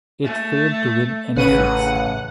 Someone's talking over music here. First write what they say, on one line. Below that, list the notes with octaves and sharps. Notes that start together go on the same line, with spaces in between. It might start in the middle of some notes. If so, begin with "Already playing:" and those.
It failed to win any seats.
A3
A1 C#3 B4 F#5 D#7